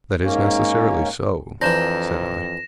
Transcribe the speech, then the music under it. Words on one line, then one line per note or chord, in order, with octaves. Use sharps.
'That is necessarily so,' said I.
G#2 A#3 C#4
F2 E3 D4 C5 A#5 G6 A#6 E7